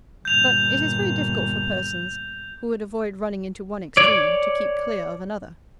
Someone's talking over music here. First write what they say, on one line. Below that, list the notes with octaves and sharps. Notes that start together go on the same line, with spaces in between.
But it is very difficult for persons, who would avoid running into one extreme, to keep clear of another.
G1 A#2 G6 F7
C#5 D5